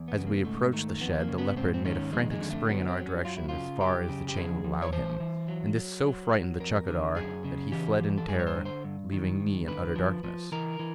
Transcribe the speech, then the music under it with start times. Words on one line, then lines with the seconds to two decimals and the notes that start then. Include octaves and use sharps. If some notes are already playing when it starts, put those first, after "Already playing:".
As we approached the shed, the leopard made a frantic spring in our direction as far as the chain would allow him, and this so frightened the chaukidar that he fled in terror, leaving me in utter darkness.
Already playing: E2
0.08 B3
0.18 C#3
0.27 A#3
0.45 G#2 A3
0.73 D#3 A3
1.01 F2 B3
1.20 A#3
1.29 C#3
1.38 B3
1.57 G#2 C4
1.74 C4
1.85 D#3 C#4
2.13 F2 G#3
2.31 G#3
2.41 D3
2.50 A3
2.69 F#3 B3
2.88 C4
2.97 F#3
3.06 C#4
3.25 F#2 F4
3.37 E4
3.49 C#3 F4
3.80 F#2 G4
4.09 C#3
4.28 G4
4.37 F3 G#4
4.64 F3
4.82 C#5
4.93 E3 C5
5.20 E3
5.48 F#3
5.76 F#3
6.04 F#3
6.33 F#3
6.60 F2 A#4
6.88 D3
7.16 F#2 G#4
7.44 C#3
7.72 E3 G4
8.00 E3
8.18 A4
8.28 G2 G#4
8.39 C#5
8.47 C5
8.56 D3
8.65 C5
8.85 G2
9.12 D#3
9.40 G2
9.68 D3 B4
9.96 F3
10.24 F3
10.52 E3 A#4
10.79 E3